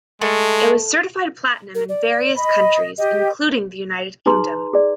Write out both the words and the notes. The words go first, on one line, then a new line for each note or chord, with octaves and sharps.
It was certified platinum in various countries, including the United Kingdom.
G#3 A3
A#4
D5
D#5 B5
G4 D#5
D#4 G#4 B4 A#5 C6
G#4 D5